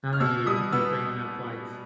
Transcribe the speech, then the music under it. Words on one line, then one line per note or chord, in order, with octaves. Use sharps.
Now that you you're bringing up, like
F6
B2 E6
G3 D#6
B3 E6